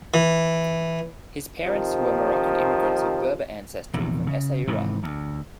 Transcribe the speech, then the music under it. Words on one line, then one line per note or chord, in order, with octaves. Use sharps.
His parents were Moroccan immigrants of Berber ancestry from Essaouira.
E3
C3 D#3 F3
A#1 E2 C3 D#3
C#3
G#2 C3 D#3 E3
D2